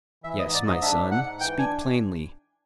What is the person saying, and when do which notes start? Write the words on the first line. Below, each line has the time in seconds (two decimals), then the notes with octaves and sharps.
"Yes, my son, speak plainly."
0.24 E3 E5
0.39 D#5
0.44 G#2
0.54 D5
0.63 G#2 D#5
0.82 D4 E5
1.02 G#2
1.11 F#5
1.21 G#2
1.39 E3 G5
1.58 D4 G#5